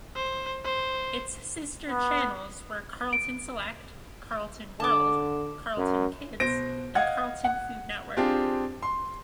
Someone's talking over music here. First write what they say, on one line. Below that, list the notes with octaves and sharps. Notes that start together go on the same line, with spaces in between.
Its sister channels were Carlton Select, Carlton World, Carlton Kids, and Carlton Food Network.
C5
C5
B3
D7
D3 A5 D6
F#2
B2 C5 A#6 D7
D#5 F5 F#5 G#6
F#5
C4 D4 F4 G4 G#4
C6